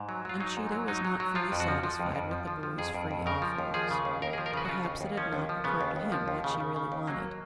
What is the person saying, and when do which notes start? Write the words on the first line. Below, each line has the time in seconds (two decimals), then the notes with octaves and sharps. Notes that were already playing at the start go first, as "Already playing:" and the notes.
Uncheedah was not fully satisfied with the boy's free offerings. Perhaps it had not occurred to him what she really wanted.
Already playing: G#2
0.09 F#3
0.25 F#3 F4
0.40 F#3 D#4
0.57 G#2
0.72 F#3
0.88 F#3 D#4
1.05 F#3
1.20 F#3
1.35 F3 F4
1.52 F2
1.60 F#4
1.68 F3
1.83 F3
1.99 F2
2.15 F2
2.31 F3
2.47 F3
2.63 F3
2.78 F2 G#4
2.94 F2
3.11 F2
3.26 C#3 A#4
3.42 F3
3.58 D#2
3.74 F3 G#4
3.91 C#3
4.05 D#2
4.22 D#2 A#4
4.33 G#4
4.38 F3
4.46 A#4
4.53 C#3 B4
4.65 F#4
4.69 C#3 F4
4.85 D#2
5.01 D#2
5.17 F3 C#4
5.33 D#2
5.49 F3
5.64 C#3 B3
5.81 D#2
5.96 D#2
6.12 F3
6.28 D#2
6.44 C#3
6.60 C#3
6.76 C#3
6.92 D#2
7.08 F#3 A#3